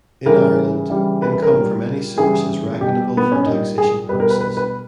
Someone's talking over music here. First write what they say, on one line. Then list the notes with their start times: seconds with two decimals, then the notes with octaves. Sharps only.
In Ireland, income from any source is reckonable for taxation purposes.
0.26 C#3 E3 G3 A#4
0.90 C#3 E3 G3
1.22 B4
1.33 B4
1.43 A#4
1.53 A#2 G3
2.18 C#3 E3 G3 G#4
2.81 B2 G3 G4
3.17 B3
3.32 C#4
3.46 A#2 G3 D#4
3.78 G#4
4.09 G3 B4
4.13 B2
4.20 A#4
4.30 B4
4.41 B4
4.57 B4